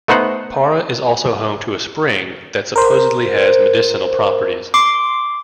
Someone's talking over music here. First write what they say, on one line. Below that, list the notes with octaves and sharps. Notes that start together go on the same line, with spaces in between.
Para is also home to a spring that supposedly has medicinal properties.
A3 B3 D#4 C5 F#5
A#4 C5
C6 D6